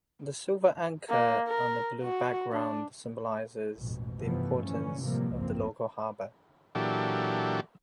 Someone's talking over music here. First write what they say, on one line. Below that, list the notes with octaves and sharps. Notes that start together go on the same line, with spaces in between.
The silver anchor on a blue background symbolizes the importance of the local harbor.
A#3
A#4
F#4
D4
A1 F2 G#2 B2
G2 C3 E3 F3 A3 B3
D3 E3 C#4
A2 C3 E3 F3 G3 A#3
F#1 C#2 G#2 F3 A#3 C4
A#2 E3 F#3 D4 G4 A4